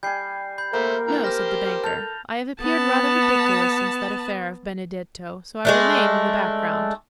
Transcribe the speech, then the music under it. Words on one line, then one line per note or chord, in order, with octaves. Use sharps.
"No," said the banker; "I have appeared rather ridiculous since that affair of Benedetto, so I remain in the background."
G3 G#5 G6 C7
B5 G6
A3 A#3 A#4 C5
D3 E3 A#5
G4 C5 F6 A#6
A4 F6 G6 F7
B3 A5
G#3 A3 D4